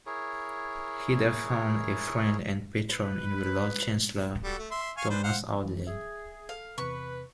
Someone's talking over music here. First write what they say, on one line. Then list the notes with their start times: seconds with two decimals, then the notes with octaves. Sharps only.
He there found a friend and patron in the lord-chancellor Thomas Audley.
0.06 E4 G#4 A#4 C#5
2.90 B4
4.44 G3 F#4 A4
4.59 A3
4.71 E5 C6
4.97 F5 G#5 C#6
5.10 D4 B4 C5
5.23 C5 F5 F#5
5.65 E3
5.87 G#4 E5
6.49 A4 F5
6.78 E2 C3 B4 C#6